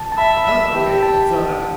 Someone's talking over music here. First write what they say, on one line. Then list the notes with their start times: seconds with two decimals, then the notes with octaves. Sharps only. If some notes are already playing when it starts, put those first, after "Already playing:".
Oh, okay, so, uh
Already playing: A5
0.12 A5
0.18 E5 B5
0.45 E5
0.74 G4
1.03 A5